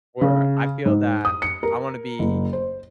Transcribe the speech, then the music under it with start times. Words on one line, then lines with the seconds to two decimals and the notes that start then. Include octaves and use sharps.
or I feel that I wanna be
0.21 C#3
0.85 G#2
1.25 D#6
1.42 C#7
1.63 A#4
2.19 F#1
2.53 C5